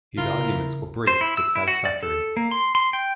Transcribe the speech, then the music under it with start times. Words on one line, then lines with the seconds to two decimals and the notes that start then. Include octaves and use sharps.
His arguments were brief but satisfactory.
0.18 A1 C#3 E4 F4 A#4
1.07 C5
1.21 E4
1.37 E6
1.55 E4
1.68 F#4
1.85 D5
2.03 A4
2.37 A#3
2.51 C6
2.75 C6
2.93 G5